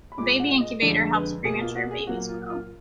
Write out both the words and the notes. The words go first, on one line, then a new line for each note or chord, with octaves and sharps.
A baby incubator helps premature babies grow.
B5
A#2 G#3 D6
F#5
D#5
F2 D3 G#3 D5
B4
B2 A#3 G#4
F4
F#4
G#4
A#2 F#3 A#3 F#4
F4
F4